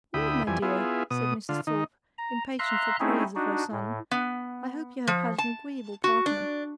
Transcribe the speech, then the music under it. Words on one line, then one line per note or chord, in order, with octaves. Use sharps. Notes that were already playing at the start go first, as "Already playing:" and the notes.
"Well, my dear," said Mrs. Thorpe, impatient for praise of her son, "I hope you have had an agreeable partner."
D2 E4 G5 B5 D#6
F2 E3 G3 G#5
B3 E4 F4 G#4
B2 D#6
D3 F4
D#3 D#4
A#5
E5 F5 A#5 C6 F#6
A3 C4 C#4 D#4 E4 G#4
D4 D#4 F#4
A2
B3
F3
A5
F#4
D4